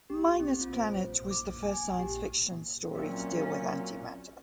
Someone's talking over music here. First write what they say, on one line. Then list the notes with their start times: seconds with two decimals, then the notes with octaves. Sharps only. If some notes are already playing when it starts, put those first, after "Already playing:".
"Minus Planet" was the first science fiction story to deal with antimatter.
0.10 G4
0.40 C4
0.61 F4
0.73 C5
1.31 D6
1.63 G#5
1.99 G4
2.95 A#2 F#3 C4 C#4 E5